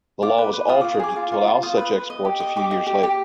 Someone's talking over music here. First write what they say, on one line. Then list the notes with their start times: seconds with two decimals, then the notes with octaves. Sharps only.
The law was altered to allow such exports a few years later.
0.22 F4 D6
0.38 B4
0.53 B4
0.68 F4 D#6
0.81 D6
0.84 F4
0.92 D#6
0.99 G#4 D6
1.16 F4 D6
1.32 F4
1.47 F4
1.63 F4 D#6
1.78 B4
1.93 B4
2.10 D#5
2.25 G4
2.40 D#5
2.56 G4 D6
2.71 D#5
2.87 G4
3.03 G4